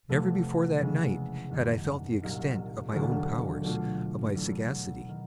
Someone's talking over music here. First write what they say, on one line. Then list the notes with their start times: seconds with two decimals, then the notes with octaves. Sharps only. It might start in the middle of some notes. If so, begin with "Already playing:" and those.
Never before that night had I felt the extent of my own powers--of my sagacity.
0.09 E2 C3 F3 A3 C4
0.80 E2 C#3 F3 G#3 C#4
1.50 G#1 F#2 D#3 G3 B3
2.22 C2 A#2 F#3 A#3 D#4
2.92 E1 D2 D3 F#3 A#3
3.64 B2 F#3 A3 D4 F4
4.35 E2 B2 F#3 A3
5.09 D#3